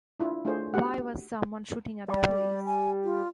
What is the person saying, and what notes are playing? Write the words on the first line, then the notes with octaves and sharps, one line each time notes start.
Why was someone shooting at the police?
D4 E4 F4
A3 D4 F4 G#4 C5 C#5
F#4 G4 F#5
G3 D5
G#5
F4